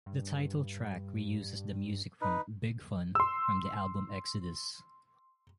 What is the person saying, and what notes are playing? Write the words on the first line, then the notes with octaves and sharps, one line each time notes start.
The title track reuses the music from "Big Fun", from the album "Exodus".
G2
D#4 B4
C6 E6